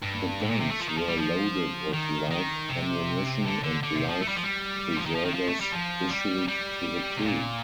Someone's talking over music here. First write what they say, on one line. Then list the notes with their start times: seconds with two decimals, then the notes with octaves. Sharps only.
The guns were loaded with live ammunition and life preservers issued to the crew.
0.03 G2
0.41 A2
0.51 A#2
0.60 C3
0.70 A3
0.80 F3
0.89 D#3
0.98 F3
1.08 G3
1.17 F3
1.93 D#3
2.31 D#3
2.69 C3
3.45 D3
3.64 D3
3.83 D3
3.96 C3
4.08 F3
4.21 A3
4.28 G3
4.36 F3
4.43 G3
4.96 F3
5.06 D#3
5.15 F3
5.25 D#3
5.34 F3
5.47 A3
5.60 G3
5.72 F3
6.10 G3
6.48 G3
7.17 C3
7.24 A#2